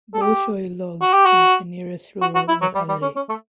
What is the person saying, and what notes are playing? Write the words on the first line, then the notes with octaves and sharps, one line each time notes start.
Bolshoy Lug is the nearest rural locality.
A4
G4
F#4
G4
F#4
F#4
F#4
E4
F#3
G3
G3
C#4
C#4
A3